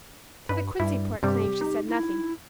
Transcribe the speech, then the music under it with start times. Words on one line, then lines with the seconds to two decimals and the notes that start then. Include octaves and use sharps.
To the Quincy-port claim she said nothing.
0.49 G2 B4
0.80 G2 G3 E4
1.23 G2 C3 G3 G4
1.61 D#4
1.88 E4